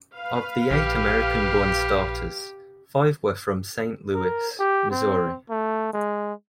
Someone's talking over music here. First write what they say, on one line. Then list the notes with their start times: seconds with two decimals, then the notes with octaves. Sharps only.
Of the eight American-born starters, five were from Saint Louis, Missouri.
0.16 B4 F5
0.71 A#1 G4
4.14 A#4
4.59 G4
4.90 C4
5.50 A3
5.93 G#3